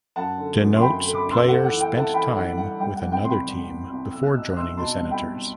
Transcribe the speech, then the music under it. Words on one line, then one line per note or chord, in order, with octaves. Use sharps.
Denotes player spent time with another team before joining the Senators.
F#2 F#5 A5
D3
F#2
C6
F#2 G5 B5
A3
B5 D6
D3
C6 E6
A3 F#5
F#5
E3
G5
A3
F#5 A5
E3 G5 B5
E3 F#5
G2 F#5
G3 G5
F#5
C2
G5
C3 C6
G5 B5
G3
C2
C2
B1 E6
F#6
B2 E6
F#6
B1 C6 E6
B2 A5 C6
G3
G5 B5
B1